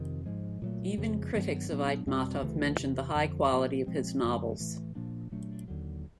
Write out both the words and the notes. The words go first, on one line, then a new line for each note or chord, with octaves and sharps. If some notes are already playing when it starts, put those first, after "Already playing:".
Even critics of Aitmatov mentioned the high quality of his novels.
Already playing: F2 C3 D#3
G#2 F3 G#3
A#2 F#3 A3
F2 C#3 F3 G#3
G2 D#3 F#3 B3
A#2 F#3 B3 D4
E2 B2 G3 C4
D2 C#3 E3 A3
E2 C3 E3
F2 D3 F3
A#2 F3 A#3
A#2 F3 G#3 C4
F#2 D3 F#3 A3
A2 E3 A3
A#2 F3 A#3 D4
A#2 F#3 A3 D4
D#2 D3 F#3